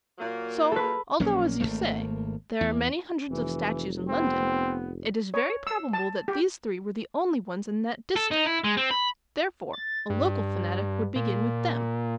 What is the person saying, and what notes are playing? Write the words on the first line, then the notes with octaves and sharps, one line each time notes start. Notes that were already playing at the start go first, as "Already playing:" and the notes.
So, although, as you say, there are many hundreds of statues in London, it is very probable that these three were the only ones in that district. Therefore, a local fanatic would begin with them.
A#2 F#3 A#3
A4 B4
A#1 F#3 A#3 C#4
G#1 G2 A3 A#3
E2
F1 E3
B3 C4
C#5
E6
A5
G4
A4
D#4
E4
G#3
C4
B5
A6
G2
A#2